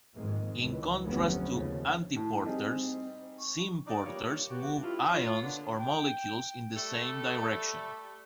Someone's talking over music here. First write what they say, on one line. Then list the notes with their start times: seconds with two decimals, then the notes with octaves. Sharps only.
In contrast to antiporters, symporters move ions or molecules in the same direction.
0.16 F2 G#2 D#3 G#3 A#3
0.60 C#2 D#3 E3
1.05 F1 D2 C3 F#3 B3 C#4
1.53 D#2 C#3 F3
2.16 A2 A5
2.45 G3 C4 D#4 G#4
3.39 C#6
3.87 D4 D#4 D5
4.05 E3 G3 A#3 F4 G4 C#5
4.49 B3 F#4 G4
4.83 G2 E4 F4
5.09 F4 C#5
5.43 A#2 D3 B3 D4
5.80 G5
6.76 G3 A3 A4